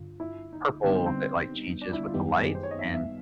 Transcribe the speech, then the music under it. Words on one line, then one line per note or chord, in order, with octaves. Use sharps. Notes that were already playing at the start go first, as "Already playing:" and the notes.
purple that, like, changes with the lights, and
Already playing: G2 D3 F4
E4
D#4
D3 G3 B3 D4 D#4
C4
C4
D4
E4
F4
F#2 D#3 G3 B3 D#4 G4
G#4
G4
C5
C#5
D#5
E5
F5
E5